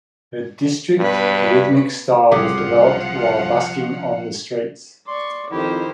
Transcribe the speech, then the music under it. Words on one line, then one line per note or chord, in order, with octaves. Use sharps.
Her district rhythmic style was developed while busking on the streets.
G2 B2 B4
C2 A2 C#3 F3 G4 G#4 F5 F#5
D5 C6 C#6
F2 D#3 E4 G4 C5